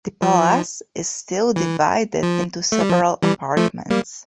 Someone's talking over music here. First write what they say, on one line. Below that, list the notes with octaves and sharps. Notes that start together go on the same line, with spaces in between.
The palace is still divided into several apartments.
F3
E3
F3
A3
G3
F3
E3 G3
F3 A3
G3 A#3